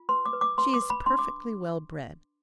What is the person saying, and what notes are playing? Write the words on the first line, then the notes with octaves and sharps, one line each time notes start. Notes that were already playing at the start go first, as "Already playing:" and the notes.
She is perfectly well-bred.
Already playing: F4
B4 C6
D6
B4
D6
B4 C6
D6
B4
B5
D4 C6
D6